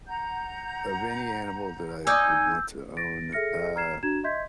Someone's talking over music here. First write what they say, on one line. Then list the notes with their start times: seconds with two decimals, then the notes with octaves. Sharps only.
of any animal that I would want to own, uh,
0.07 F#5 A#5 G6
2.07 D#4 D5 G#5 E6 G6
2.97 A6 A#6 D7
3.33 G#4 A4 E5 F6 A#6 C#7
3.76 A#5 F6 G#6 C7 E7
4.03 D4 F#4 A#5 G#6 E7
4.24 D#5 E5 C6 G6 G#6 B6